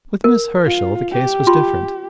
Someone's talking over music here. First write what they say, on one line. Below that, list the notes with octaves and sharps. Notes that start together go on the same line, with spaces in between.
With Miss Herschel the case was different.
A#4
F4
G4
F4 C6